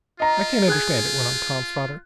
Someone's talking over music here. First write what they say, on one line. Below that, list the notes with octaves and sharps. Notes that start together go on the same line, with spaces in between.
"I can't understand it," went on Tom's father.
F4 D#5 A#5
G#4 F#6 G#6